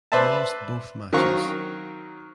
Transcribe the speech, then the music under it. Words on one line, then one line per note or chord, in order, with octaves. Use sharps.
He lost both matches.
B4 C5 D5 E5 A5
D#3 F#3 C4 A#4 F5 C#6